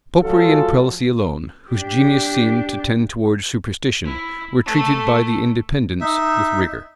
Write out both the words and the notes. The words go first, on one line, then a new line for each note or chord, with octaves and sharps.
Popery and prelacy alone, whose genius seemed to tend towards superstition, were treated by the Independents with rigor.
F3 G#3 C#4 F4 F#4 A4
D4 G4
E4
A3 A4
D#4 E5